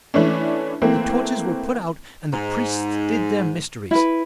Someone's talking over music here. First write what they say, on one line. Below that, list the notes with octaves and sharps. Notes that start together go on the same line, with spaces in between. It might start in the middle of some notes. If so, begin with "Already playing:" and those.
The torches were put out and the priests did their mysteries.
E3 A3 C#4 D4
E3 A3 A#3 C4
G#2
E4 B4